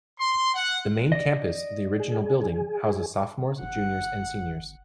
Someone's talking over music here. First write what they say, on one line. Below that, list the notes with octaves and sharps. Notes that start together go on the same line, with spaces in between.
The Main Campus, the original building, houses sophomores, juniors, and seniors.
C6
F#5
D5 D#5
G#4
G1 F#5